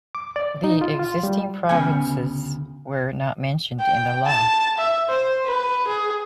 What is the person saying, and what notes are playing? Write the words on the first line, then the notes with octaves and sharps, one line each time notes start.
The existing provinces were not mentioned in the law.
D6
D5
D#4
F4
F4
G3
D2 C#3 B3 C#4 G5 G#5
G5
A5
E5
C5
B4
G#4